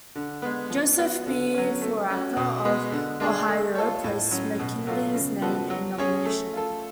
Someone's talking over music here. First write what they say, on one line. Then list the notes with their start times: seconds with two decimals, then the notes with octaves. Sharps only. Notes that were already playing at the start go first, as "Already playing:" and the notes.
Joseph B. Foraker of Ohio placed McKinley's name in nomination.
0.16 D3
0.42 G#3 B3
0.70 F3
0.98 B3 F#4
1.26 D3
1.54 F#3 C#4
1.81 A3
2.10 C#4 F#4
2.37 B2
2.65 G#3 B3
2.92 D3
3.20 G#3 D4 G#4
3.48 A3
3.75 F4 A4 C#5
4.04 A2
4.31 F#3 C#4
4.59 B2
4.87 F#3 A3 F4
5.14 C#3
5.42 F3 B3 F#4 A4
5.70 F#3
5.98 C#4 G#4 C#5
6.25 A3
6.53 F4 A4